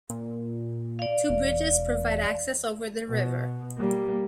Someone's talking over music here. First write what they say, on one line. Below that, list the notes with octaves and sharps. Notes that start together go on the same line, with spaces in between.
Two bridges provide access over the river.
A#2
D5 F5
E1
B2
G3 A#3